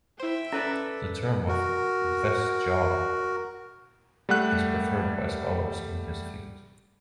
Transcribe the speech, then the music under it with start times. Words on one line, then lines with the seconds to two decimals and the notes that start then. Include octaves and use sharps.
The term of "West Java" is preferred by scholars in this field.
0.20 E4 C5 E5 G5
0.53 C#4 A4 B4 D5
1.49 F#4 A#4
4.29 G3 A3 F#5 F#6